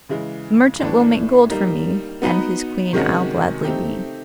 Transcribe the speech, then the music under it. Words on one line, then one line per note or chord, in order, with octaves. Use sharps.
The merchant will make gold for me And his queen I'll gladly be.
C#3 E3 G#3
A2 E3 A3 D4
G3 A#3 D#4
B3 D#4 F#4 B4
C3 D#3 G#3 C#4 F#4
A3 C4 D#4 G4